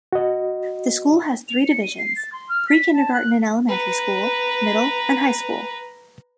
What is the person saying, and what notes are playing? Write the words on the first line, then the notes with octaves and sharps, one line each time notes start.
The school has three divisions: pre-kindergarten and elementary school, middle, and high school.
F#4 D#5
F7
C#7
D#7
C7
A6
C6
F6
B6
A5
F#6
B4 A#5